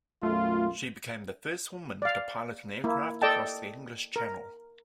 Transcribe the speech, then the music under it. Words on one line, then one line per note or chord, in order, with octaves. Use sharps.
She became the first woman to pilot an aircraft across the English Channel.
B1 F#2 A3 F4
D5 F5
A#3 E4
A4 D5 D#5 G5 A5
A#4